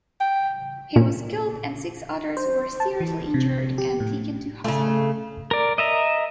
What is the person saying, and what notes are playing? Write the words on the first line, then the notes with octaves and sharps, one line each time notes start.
He was killed and six others were seriously injured and taken to hospital.
G5
A#2
C5
A5
E3
C3
G4
A2
C#3 A3
A#4 D5
D#5 E5 A#5